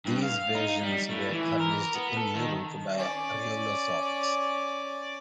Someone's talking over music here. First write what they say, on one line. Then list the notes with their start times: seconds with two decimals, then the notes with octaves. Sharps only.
These versions were published in Europe by Ariolasoft.
0.06 G2
0.23 F5
0.55 D#4
0.83 G3
1.10 A2
1.31 E3
1.60 A#4
1.95 B3
2.17 A4
2.35 D#3
2.94 C#4 D5